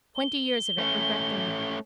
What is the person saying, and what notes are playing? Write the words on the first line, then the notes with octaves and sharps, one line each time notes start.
Twenty years of it, regret them not.
G7
A3 C#4